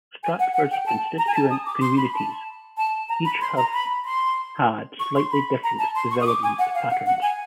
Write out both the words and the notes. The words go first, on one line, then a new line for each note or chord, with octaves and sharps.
Stratford's constituent communities each have had slightly different development patterns.
G#5
F#5
F#5
G5
A5
A#5
G#5
A5
D#6
D6
C6
B5
A5
A5
A#5
B5
C6
A#5
B5
C6
C#6
C6
B5
A#5
A5
C6
C#6
D#6
D6
G#5
F#5
F5
F#5
F#5
G#5